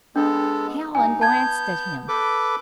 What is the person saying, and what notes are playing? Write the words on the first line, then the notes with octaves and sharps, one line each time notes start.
Hallen glanced at him.
G#3 B3 D4 A4
G2 D#4 G#5
B3 A5 G6 G#6
A4 B4 D6